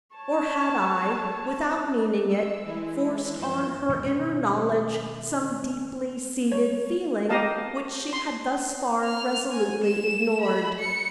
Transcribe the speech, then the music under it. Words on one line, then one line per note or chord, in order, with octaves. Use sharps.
Or had I, without meaning it, forced on her inner knowledge some deeply seated feeling which she had thus far resolutely ignored?
C#5 A5
E6
E3 G#3 E4
G2 E3 F3 G6 E7
B2 D#3 G#3
C#5
G4 A#4 D#5 F5 A5
C6
F6
G#5
E7
B5
C#7